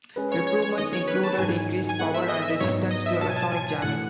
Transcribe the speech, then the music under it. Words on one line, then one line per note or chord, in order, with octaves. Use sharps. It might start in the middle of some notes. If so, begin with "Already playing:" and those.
Improvements included increased power and resistance to electronic jamming.
G#3 C#4 G#4 B4
C#5
C#5
C#5
D#3 G#3 B3 D#5
C#5
B4
A5
G#2 D#3 F#3 G#5
G#5
G#3 B3 E4 A4 F#5
E5
D#5
E5
G#2 F#3 B3 D#4 C#5
D#5
E5
B2 F#3 B3 F#4 C#5 A5
G#5
A5
G#5
G#5
A2 E3 A3 F#5